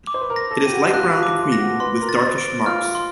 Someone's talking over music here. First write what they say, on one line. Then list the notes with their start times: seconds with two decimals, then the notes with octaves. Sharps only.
It is light brown to cream with darkish marks.
0.07 D6
0.14 C5
0.21 B4
0.30 A#4
0.36 A#6
0.51 A4
0.65 G4 D#7
0.72 F#4
0.94 F4 F#6
1.16 F4
1.23 D6
1.38 F4
1.52 A#6
1.58 F#4
1.80 B4 C6
2.01 A#4
2.09 A6
2.23 C5
2.38 D7
2.66 F4 F6
2.95 C6